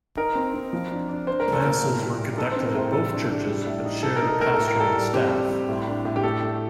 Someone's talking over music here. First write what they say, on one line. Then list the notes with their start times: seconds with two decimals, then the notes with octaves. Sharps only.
Masses were conducted at both churches, but shared a pastor and staff.
0.17 D#4 A#4
0.35 C4
0.54 C4
0.73 F3
0.91 D4
1.09 D4
1.27 D4 C5
1.40 A#4
1.46 A3
1.53 A4
1.64 A#2 A#4
1.83 A2
2.01 G3
2.20 A2
2.37 D#4 A4
2.52 C4 C5
2.66 A#4
2.75 A2 C5
2.93 G3 A4
3.12 D4
3.30 D4
3.48 G3
3.67 A2
3.85 D#4
4.03 D#4 A4
4.16 A#4
4.22 D#4
4.29 A4
4.40 A3 A#4
4.54 A2 A4
4.68 A#4
4.77 G3 A4
4.96 G3
5.14 C4 G4
5.32 G3
5.50 G3
5.69 A2
5.88 D4
6.05 A2
6.16 G4
6.23 A3 A4
6.42 A3